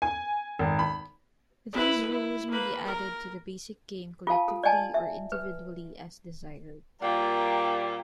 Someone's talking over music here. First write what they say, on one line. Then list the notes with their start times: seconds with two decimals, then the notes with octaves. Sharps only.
These rules may be added to the basic game collectively or individually as desired.
0.02 G#5
0.59 G#1
0.79 B5
1.73 E4 B4
2.11 E4
2.51 A#3 B4
2.86 A#4
4.27 F4 A4 F5 A5
4.48 A4
4.64 D5 D#5 G#5 A5
4.94 E5
5.32 B4
7.02 A#2 G3 A#3 G5 A#5